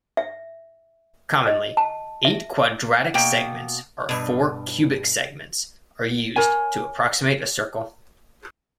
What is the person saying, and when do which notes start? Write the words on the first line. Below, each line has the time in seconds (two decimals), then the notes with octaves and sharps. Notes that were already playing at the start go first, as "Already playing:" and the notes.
Commonly, eight quadratic segments or four cubic segments are used to approximate a circle.
0.17 E5
1.47 D#5
1.77 A5
2.25 E5
3.14 B2 A#3 G5
4.09 G2 B2
6.36 A#4 C#5 G#5